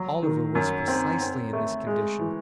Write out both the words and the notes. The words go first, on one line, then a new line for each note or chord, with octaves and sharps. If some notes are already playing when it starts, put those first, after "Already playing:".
Oliver was precisely in this condition.
Already playing: F#3
D#3
F#2
C4
C4
A3
G#3
E3